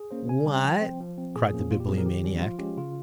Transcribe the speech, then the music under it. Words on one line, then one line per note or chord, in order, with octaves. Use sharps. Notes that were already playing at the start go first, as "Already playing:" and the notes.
"What?" cried the Bibliomaniac.
Already playing: G#4
A#3 C#4 C5
C3 G#5
G3 C#4
F3 G5
C4 C5
F3
C4
A#2 G#4
F3 A#3 C#4
A#2 F4
G4
F3 C4 G#4
A#4
D#3 G4
G3 C#4
F3 F4
G#3 C#4 G4
C#3 F4